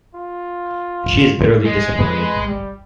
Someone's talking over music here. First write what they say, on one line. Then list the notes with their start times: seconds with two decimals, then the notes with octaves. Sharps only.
She is bitterly disappointed.
0.15 F4
1.65 G#3
1.98 B4
2.47 G3